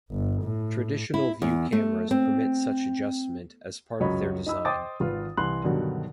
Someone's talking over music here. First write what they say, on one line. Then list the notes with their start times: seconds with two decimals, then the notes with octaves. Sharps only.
Traditional view cameras permit such adjustment as part of their design.
0.11 G1
0.43 A2
1.14 E4
1.42 E2
1.72 A3
2.11 C4
4.00 C#2 F#2 F#3 C#5 D#5 B5
4.46 D#4 B5 E6
4.65 C5 D#5 G5 D6 D#6 A6
5.00 G#1 F4 B4
5.37 C2 E3 C6 F#6 F#7
5.64 G2 B2 D3 D#3 F#3